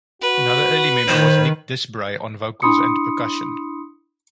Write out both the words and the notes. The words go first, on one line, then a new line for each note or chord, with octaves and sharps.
Another early member was Nick Disbray on vocals and percussion.
F#4 B4
D#3 C5
D4 E4 B5 C6 D#6 C#7